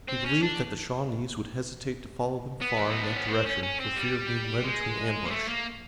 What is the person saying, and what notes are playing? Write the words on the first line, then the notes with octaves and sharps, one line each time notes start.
He believed that the Shawnees would hesitate to follow them far in that direction for fear of being led into an ambush.
C4
C#4
D4
B3
E4
D#4
D4
C#4
C4
C#4
C#4
C4
G3
G#3
A#3
A3
A#3